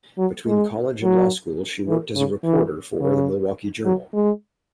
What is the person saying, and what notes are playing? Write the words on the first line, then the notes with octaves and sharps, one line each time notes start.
Between college and law school she worked as a reporter for "The Milwaukee Journal".
F#3
G#3
F#3
E3
C#3
E3
C#3
F#3
G#3